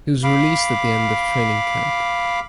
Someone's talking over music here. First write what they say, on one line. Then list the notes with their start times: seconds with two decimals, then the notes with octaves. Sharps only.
He was released at the end of training camp.
0.24 F5 B5 D6